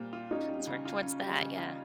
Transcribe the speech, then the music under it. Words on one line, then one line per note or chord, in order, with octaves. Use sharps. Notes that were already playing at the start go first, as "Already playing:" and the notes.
Let's work towards that. Yeah.
Already playing: A#2 G3 C4 F4
F4
C#4 D#4
G3
C#3
F4
C#4
G3
C#3
F4